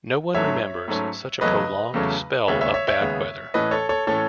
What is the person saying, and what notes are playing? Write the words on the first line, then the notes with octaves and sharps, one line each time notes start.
No one remembers such a prolonged spell of bad weather.
G#2 F#3 A3 C#4 C#5 E5
G#2 F#3 A3 C#4
E2 C#3 F#3 A3 C#4 B4 D#5
E2 C#3 F#3 A3 C#4
D#2 C#3 G#3 B3 C#5 E5
C#5 E5
C#5 E5
C#5 E5
D#2 C#3 G#3 B3
A2 E3 A3 C#4 B4 D#5
A4 C#5
A4 C#5
A2 E3 A3 C#4 A4 C#5